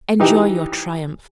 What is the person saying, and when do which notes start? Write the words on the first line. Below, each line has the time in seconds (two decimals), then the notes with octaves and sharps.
Enjoy your triumph!
0.20 E3 D#4 G4